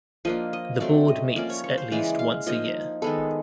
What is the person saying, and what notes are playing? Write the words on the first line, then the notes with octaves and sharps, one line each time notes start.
The Board meets at least once a year.
F3 A#3 D4 D#5
D#5
F#3 A3 C4 D5
D#5
F3 A#3 C#4 D5
C#5
C#5
C5
C#3 E3 G#3 D5
F5
F3 A#3 D#4 D#5
D#3 G#3 B3 A4